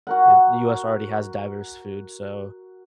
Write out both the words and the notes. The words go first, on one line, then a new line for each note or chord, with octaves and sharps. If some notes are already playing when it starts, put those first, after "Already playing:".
eh, the US already has diverse food, so,
F#4 A#4 F#5